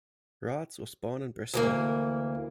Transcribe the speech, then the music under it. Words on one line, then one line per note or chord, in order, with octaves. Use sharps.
Rahtz was born in Bristol.
D2 E3 A#3